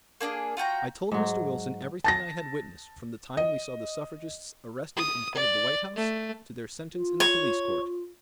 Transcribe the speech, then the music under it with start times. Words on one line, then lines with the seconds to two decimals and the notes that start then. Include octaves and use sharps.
I told Mr. Wilson everything I had witnessed from the time we saw the suffragists arrested in front of the White House to their sentence in the police court.
0.21 A#3 D4 E4 G#4
0.57 F4 F#4 G5 A#5
1.12 G#2 F#3
2.04 A5 A6 A#6
3.37 D#5
4.97 D#6
5.35 D5
5.97 A3
6.94 F4
7.20 C#5